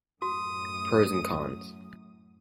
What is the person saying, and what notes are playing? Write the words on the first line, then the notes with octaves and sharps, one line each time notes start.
Pros and cons.
F#2 A2 F#4 D#6